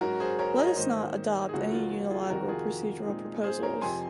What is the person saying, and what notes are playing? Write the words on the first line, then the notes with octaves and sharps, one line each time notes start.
Let us not adopt any unilateral procedural proposals.
G#2 F#3 C#4 F#4 A#4
G#4 C5
A#4 C#5
D#5
C#5
G#2 D#3 A#3 D#4 C5 D#5
G#4
C#2 C#3 F3 A#3 C#4 F#4
F4
F4
F4 G#4
F2 C3 D#3 F#4 A#4
F4 G#4
A#2 G#3 C4 D#4
G#4 C5
A#4 C#5
F2 C3 F3 C4 G#5 C6